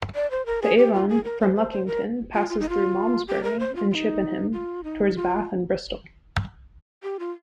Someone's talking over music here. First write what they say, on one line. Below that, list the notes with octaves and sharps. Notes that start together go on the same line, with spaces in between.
The Avon, from Luckington, passes through Malmesbury and Chippenham towards Bath and Bristol.
D5
C5
A#4
G#4
G4
F4
G#4
A#4
C5
C5
C5
A#4
F4
F4
D#4
F4
G4
A#4
C5
F4
F4
D#4
F4
D#4
F4
G4
F4